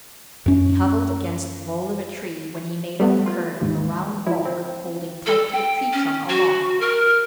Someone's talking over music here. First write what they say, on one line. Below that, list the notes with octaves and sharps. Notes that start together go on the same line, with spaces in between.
He huddled against the bole of a tree when he made out the curve of a round bulk holding tight to the tree trunk aloft.
F#2 C#4
G3 A3 B3
F4
D#2 G#2
F3 E4
C4
A4
G5
C#4
F#4
A#4